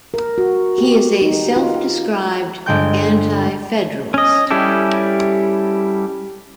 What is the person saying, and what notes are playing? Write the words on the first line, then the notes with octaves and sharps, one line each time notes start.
He is a self-described Anti-Federalist.
A#4
F#4
G4
D#4
F4
G1 D3 G#3 G5 C6 G6
C#4 D#5
G3 C#4 E4 G4 A4